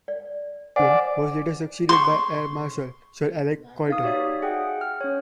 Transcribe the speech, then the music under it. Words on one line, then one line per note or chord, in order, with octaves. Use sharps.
Baldwin was later succeeded by Air Marshal Sir Alec Coryton.
D5
C5 D5 F#5 G#5
C6 C#6
D#4 F5 D#6
F#4 G4 C#5 D5 E5 D#6
G#4 F#5 G5
F6
C#4 C#5